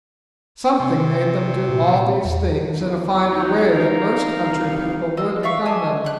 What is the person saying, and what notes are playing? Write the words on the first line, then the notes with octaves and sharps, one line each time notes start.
Something made them do all these things in a finer way than most country people would have done them.
C3
A#2
E2
E2
F#3 D#4
D#4 A#4 F5
C2
A#3 D#5 A5 E6
D5 E5 F5 C#6
D#5 G#5 A5 D6
G5 F#6